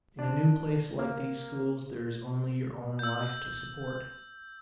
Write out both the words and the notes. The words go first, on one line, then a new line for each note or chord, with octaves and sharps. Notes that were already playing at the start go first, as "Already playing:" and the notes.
In a new place like these schools there is only your own life to support.
D4
A#3
E6 G6